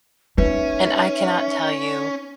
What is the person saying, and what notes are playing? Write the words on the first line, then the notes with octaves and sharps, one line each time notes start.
and I cannot tell you
C#4 D#4 B4 E5